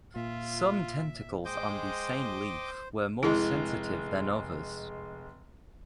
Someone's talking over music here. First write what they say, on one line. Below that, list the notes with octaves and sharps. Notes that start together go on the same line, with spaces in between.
Some tentacles on the same leaf were more sensitive than others.
A#2 F4 E5
G#3 C5 D#5 G5 D6
F1 G#3 E4